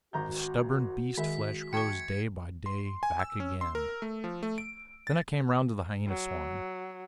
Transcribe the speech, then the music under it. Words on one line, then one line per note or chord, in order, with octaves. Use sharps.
"The stubborn beast-flesh grows day by day back again." Then I came round to the Hyena-swine.
G#1 F#4 A#5 G6
D#3 G#3 E5 B6
G5 A5 C#6 G#6 C#7
C6
G#5
E6
C#4
C6
A#4
A3
F3
A3
D7
A6
F#3